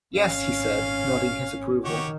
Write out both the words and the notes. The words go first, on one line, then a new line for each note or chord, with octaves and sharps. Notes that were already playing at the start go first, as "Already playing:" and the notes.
"Yes," he said, nodding his approval.
G#1 C#4 F5
D#3 F#4 G4 C#5